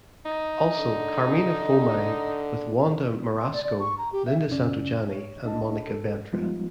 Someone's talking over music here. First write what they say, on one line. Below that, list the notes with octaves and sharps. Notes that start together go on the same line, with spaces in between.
Also "Carmina Foemine" with Wanda Marasco, Linda Santojanni and Monica Ventra.
D#4
D3
C6
D5
D5
C#6
A#5
G4
E5
F#2 C#3 C#4 D5
C#5
C2 D4 D#5 A5
A4
F3 G3 G#3 B3 D#4 F4